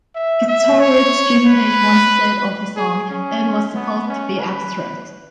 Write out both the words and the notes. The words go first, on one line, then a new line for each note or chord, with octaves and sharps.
Guitarist Jimmy Page once said of the song: It was supposed to be abstract.
E5
E5
C#5
B4
G#4
C#4
B3
C#4
B4